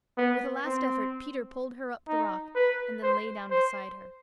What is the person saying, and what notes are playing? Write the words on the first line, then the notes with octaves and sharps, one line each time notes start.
With a last effort Peter pulled her up the rock and then lay down beside her.
B3
C4
D#4
B4
C5
C5